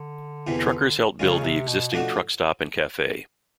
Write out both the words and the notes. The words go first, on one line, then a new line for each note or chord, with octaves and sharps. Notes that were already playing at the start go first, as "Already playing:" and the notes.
Truckers helped build the existing truck stop and cafe.
Already playing: D3
E2 C3 E3
C#3 G#3 C#4 F4
C3
B2
B2 F3 A3 D4 F#4